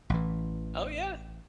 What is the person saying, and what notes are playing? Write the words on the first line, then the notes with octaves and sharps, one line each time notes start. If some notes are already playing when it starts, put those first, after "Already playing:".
Oh, yeah.
A1 E3